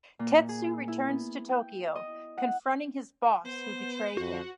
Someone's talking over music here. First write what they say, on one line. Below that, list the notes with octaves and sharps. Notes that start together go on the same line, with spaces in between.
Tetsu returns to Tokyo, confronting his boss who betrayed him.
A#2
G#4
E4
B3
G5
D#5
F#5
B3 C5
F2 F#4